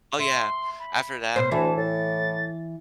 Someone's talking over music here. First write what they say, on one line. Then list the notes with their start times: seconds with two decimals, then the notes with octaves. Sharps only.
Oh, yeah. After that,
0.19 E5 C6
0.79 B5
1.36 B2 C5 C7
1.52 D2 E3 A5
1.77 A2 A6